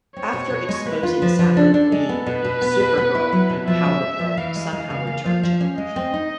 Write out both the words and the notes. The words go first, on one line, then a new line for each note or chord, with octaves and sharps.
After exposing Saturn Queen, Supergirl and Power Girl somehow return to Earth.
C4 C#5
B2
B2
G#3
A#3 B4
F4
F3
F3
D4 A4
D4
G#3
B3
B2 B4
B2
B3
B2
B3
E4
F#3
B2
F3 E5
G#3
G#3
F3
E3 F5
G#3
G#3
C#3
A#3
F3
F3
C#4
G#3 D#5
C4
D#4